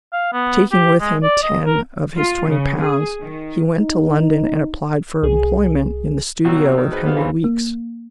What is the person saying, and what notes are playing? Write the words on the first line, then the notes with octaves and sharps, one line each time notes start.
Taking with him ten of his twenty pounds, he went to London and applied for employment in the studio of Henry Weekes.
F5
B3
G4
G#3
D5
D#5
A#4
F4
C#3
G#4
D#3
D#4
C2 G#4
C2 D#3 F#3 B3 F#4 E6
D#3 F#4
G#4 B4 C5
G3 B3 B4 F5
G#1 E3 F5 B5 C6
A#3